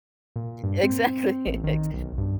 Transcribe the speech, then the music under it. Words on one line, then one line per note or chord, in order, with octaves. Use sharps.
E exactly, ex
A#2
G2
C4
A1
D#3
B1
G2